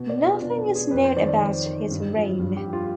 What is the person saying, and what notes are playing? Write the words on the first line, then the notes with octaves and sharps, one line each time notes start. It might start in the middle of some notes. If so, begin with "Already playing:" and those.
Nothing is known about his reign.
Already playing: B2
D5
F4
B2 D4
D4
G#4
F2 B4
C5
D#3 D5
D5
F2 C5
D#3
G2
F3
G2
G4
F3
F4